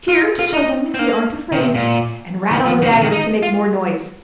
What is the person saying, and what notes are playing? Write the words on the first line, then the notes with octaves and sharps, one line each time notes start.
'Cheer to show them we aren't afraid, and rattle the daggers to make more noise.
F4
F4
D#4
C4
A#3
D#3
C3
A#2
D#3
F3
D#3
C3
D#3
D#4
F4